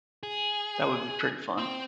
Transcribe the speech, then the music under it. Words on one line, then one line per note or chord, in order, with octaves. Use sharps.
That would be pretty fun.
G#4
C4 C5